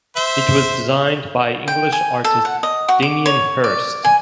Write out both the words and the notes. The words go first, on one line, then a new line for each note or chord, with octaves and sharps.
It was designed by English artist Damien Hirst.
C5 E5
G5
G#5
A4
F#5
D#5
F#4
D6
C#5
D5
G#5